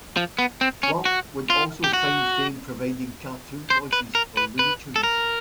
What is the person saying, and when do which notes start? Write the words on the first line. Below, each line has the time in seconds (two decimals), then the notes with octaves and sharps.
Blanc would also find fame providing cartoon voices for "Looney Tunes".
0.17 F3
0.39 B3
0.61 C4
0.83 C#4
1.05 F#4
1.50 F4
1.84 G4
1.93 F#4
3.70 C5
3.93 B4
4.15 A#4
4.37 B4
4.59 B4
4.96 A4
5.03 A#4